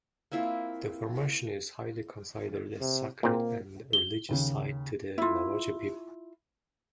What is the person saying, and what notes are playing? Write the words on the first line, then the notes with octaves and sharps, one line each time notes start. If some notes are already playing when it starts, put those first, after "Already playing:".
The formation is highly considered a sacred and religious site to the Navajo people.
A#3 C4 E4 F4
C3
A#2 A#3 C4
G7
D#2 C#3
E4 F4